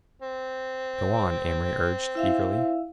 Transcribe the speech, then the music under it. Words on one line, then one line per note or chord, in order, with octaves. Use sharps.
"Go on," Amory urged eagerly.
C4
E4 E5 F5